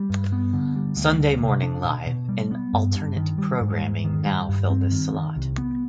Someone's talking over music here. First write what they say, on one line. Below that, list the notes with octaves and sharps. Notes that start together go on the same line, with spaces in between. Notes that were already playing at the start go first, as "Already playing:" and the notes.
"Sunday Morning Live" and alternate programming now fill this slot.
Already playing: G3
G2
B3
D3
G3
D2
D2
C3
D4
B2
B2
G3
B3
G2
G2
D#3
G3
G#2
G#2
D#3
G3
G2
C4
D#3
D#3
C2
B3